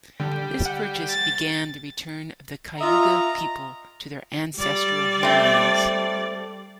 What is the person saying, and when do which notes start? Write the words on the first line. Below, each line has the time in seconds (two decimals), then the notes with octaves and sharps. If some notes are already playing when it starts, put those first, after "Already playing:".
This purchase began the return of the Cayuga People to their ancestral homelands.
0.20 D3 G3
0.65 F#5
1.10 A6
2.81 F4 D#5 E5 A#5
4.57 G3 D5
5.23 A3 C4